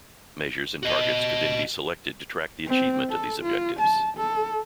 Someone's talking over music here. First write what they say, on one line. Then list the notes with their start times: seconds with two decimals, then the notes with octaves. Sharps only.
Measures and targets could then be selected to track the achievement of these objectives.
0.83 F#4 D#5
2.66 C4
3.10 A4
3.42 F4
3.80 A5
4.17 A4